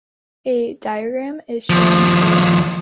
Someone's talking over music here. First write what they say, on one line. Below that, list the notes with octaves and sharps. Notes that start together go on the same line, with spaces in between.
A diagram is shown below.
D#2 F3